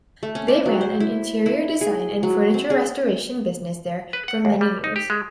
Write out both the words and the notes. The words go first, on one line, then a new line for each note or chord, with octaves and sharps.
They ran an interior design and furniture restoration business there for many years.
A3
C#4
D5
F#3
C5
E4
E4
G#4
F#3
C4
G#4
B4
F#5
D#2
G3
D#4
G4
G#3